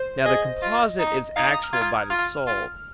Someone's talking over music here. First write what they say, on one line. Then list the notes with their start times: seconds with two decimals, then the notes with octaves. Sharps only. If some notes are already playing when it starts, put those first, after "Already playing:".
Now the composite is actual by the soul.
Already playing: C5
0.26 G#4 D#5
0.63 F4
0.99 D#4
1.36 D#4 F5
1.45 A#5
1.54 D#6
1.64 F6
1.73 F4 G#6
2.10 F4 F6
2.47 F4